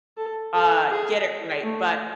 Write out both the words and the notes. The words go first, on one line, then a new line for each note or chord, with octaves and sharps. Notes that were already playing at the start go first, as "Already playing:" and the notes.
uh, get it right, but,
A4
A4
G#4
A3